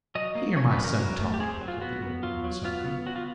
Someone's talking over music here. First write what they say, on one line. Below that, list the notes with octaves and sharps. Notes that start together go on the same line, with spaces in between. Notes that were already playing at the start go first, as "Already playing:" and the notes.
"Hear my son talkin'," said the old woman softly.
F#3 D#5
A#3
C#4 C#5
B4
F#3
A#4
F#3
A3
G4
C4 G#4
F#3
F4
B3 F#4
B3
F#3 F4
F#3
B3 F4
B3
F#3 F#4
F4